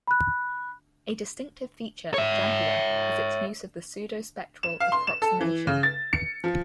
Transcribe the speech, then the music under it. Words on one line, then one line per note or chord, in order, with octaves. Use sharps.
A distinctive feature of Jaguar is its use of the pseudospectral approximation.
B5 F#6
C#5 E5
E7
F5
C6
E7
A4
E3
C#3
A6
C#7
F3